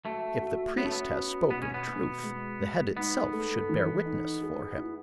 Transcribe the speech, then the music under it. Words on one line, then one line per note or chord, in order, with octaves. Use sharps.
If the priest has spoken truth, the head itself should bear witness for him...
A3 F#4
F#4
B3 C#4
A3
B3
F#4
B2 B3
C#4
B3
B2
G#3
G#3
B3 D#4
A3
E3
D#4
G#4
E4